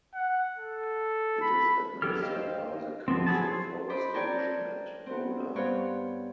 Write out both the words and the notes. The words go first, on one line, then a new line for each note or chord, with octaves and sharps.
It is administered by the Coastal Forest Division at Bhola.
F#5
A4
B5
F#3 B3 G4 A4 F6
C5 D#5 F5 G5
F3 B3 C4
F#3 B3 G#4 A5
C5
C5 D#5 B5 D6
A#4 C#5 D5 G5 A5 A#5
B3 C4
G2 B3 C4 C#5 F5